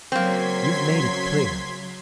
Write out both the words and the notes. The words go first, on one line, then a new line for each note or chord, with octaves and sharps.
You've made it clear.
C#3 F#3 A#3 C4 C6 G#6 B6